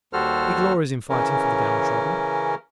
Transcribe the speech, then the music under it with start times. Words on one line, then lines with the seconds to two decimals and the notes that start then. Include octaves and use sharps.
He glories in fighting for the downtrodden.
0.13 D#2 G3 F#4 A4 C5 F6
1.09 C#3 E3 C#4 A#4